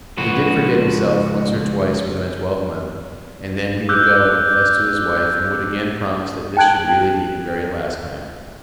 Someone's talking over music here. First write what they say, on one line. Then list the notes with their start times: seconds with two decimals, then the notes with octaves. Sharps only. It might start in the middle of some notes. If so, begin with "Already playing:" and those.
But he did forget himself once or twice within a twelvemonth, and then he would go and confess to his wife, and would again promise that this should really be the very last time.
0.17 C#2 F3 F#4 B4
3.89 D6 E6 F#6 G6
6.57 G5 A5 F#6 G#6 D7 F#7